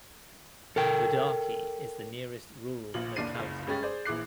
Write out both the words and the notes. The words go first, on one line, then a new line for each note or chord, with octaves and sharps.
Budarki is the nearest rural locality.
A4 A#4 G5
A#1 F4 F#7
F#1 C#2 A#2 D4 C7 D#7
F#1 C#2
G2 G#3 C#4 G4 G#4 A6
G#4 C5 D5
A#1 E3 G#4 D6 F#6 C7